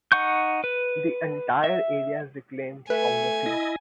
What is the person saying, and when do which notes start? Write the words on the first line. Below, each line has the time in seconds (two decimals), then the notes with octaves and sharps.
The entire area is reclaimed from the sea.
0.12 D#4 F#5 C#6 G6
0.64 B4
1.64 E5
2.90 A3 B4 G#5
3.46 E4 D#5